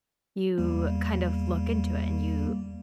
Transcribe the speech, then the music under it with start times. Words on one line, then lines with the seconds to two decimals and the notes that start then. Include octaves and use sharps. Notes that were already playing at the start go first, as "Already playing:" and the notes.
you kind of look into it, and you
0.58 E2 G3 A#3